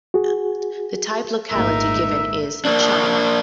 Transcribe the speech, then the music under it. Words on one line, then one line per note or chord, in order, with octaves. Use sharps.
The type locality given is "China".
F#4 G#4
G#1 D2 A#2 G#3 A3 D#4 A#4 E5
A#3 D4